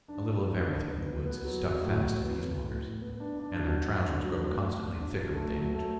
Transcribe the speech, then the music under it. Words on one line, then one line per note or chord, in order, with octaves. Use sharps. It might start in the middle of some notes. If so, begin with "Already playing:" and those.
A little of everything in the woods is stuck fast to these loggers, and their trousers grow constantly thicker with age.
D4
F#3
D4
D4
B3
F#3
B3
F#3
F#3
A2
F#3
B3
F#3
A2
A2
B3
D4
D4
F#3
F#4
D4
F#3
A3
F#4
F#3
D4
F#3
A3
F#3
A3